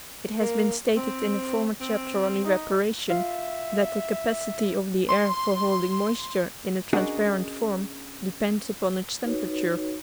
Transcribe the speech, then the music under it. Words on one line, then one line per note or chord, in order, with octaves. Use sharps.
It has been stated in a former chapter on evaporation that the capacity of the air for holding moisture in a transparent form depends upon its temperature.
A#3
C4
C4
D#4
F4 E5 F5
C6
C#4 D4 F#4 G#4 A#4 D#5
D#4 F#4 B4 C#5